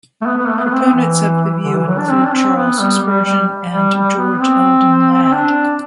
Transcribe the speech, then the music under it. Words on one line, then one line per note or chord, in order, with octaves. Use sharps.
Proponents of the view include Charles Spurgeon and George Eldon Ladd.
A3
B3
B3
A3
B3
C4
E3
D3
E3
F#3
D4
C4
D4
C4
B3
G3
G3
G3
G3
G3
B3
C4
C4
D4